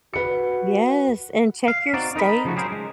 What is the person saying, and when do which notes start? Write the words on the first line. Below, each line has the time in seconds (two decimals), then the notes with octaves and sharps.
Yes, and check your state
0.14 F#4 B4 C#7
1.68 F5
1.93 C4 D#4 F#4 D5
2.16 D#4 A#4 D#5 B5
2.44 C#3 F3 A3 D#4 F#4
2.56 F#3 G3 G4 G#4 A#4 C5
2.72 G#3